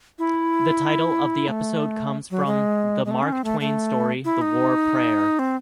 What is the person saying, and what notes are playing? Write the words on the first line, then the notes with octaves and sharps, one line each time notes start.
The title of the episode comes from the Mark Twain story "The War Prayer".
E4
A3
F#3
G#3
G#3
A3
C#4
C4
A3
A3
E4
D#4
C4